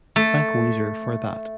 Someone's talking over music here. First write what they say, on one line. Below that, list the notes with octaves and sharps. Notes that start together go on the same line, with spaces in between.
Thank Weezer for that.
A3